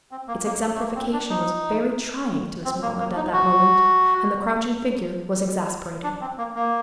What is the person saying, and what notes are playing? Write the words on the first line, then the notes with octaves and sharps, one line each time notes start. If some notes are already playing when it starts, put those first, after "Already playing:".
Its exemplification was very trying to Miss Moreland at that moment, and the crouching figure was exasperating.
C4
A#3
A#3
A3
A3
A#3
C4
D4
D#4
C4
A#3
A#3
D#4
F#4
D4
C4
A#3
A#3